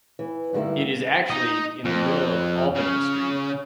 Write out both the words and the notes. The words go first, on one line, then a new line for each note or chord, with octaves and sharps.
It is actually in the middle of Albany Street.
E3
G2 D3 G3 A#3 E4
D#4 D#5
F2
C#3